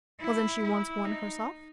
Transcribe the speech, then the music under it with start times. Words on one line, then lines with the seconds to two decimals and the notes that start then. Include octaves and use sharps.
Wasn't she once one herself?
0.20 E4
0.63 E4
1.05 D#4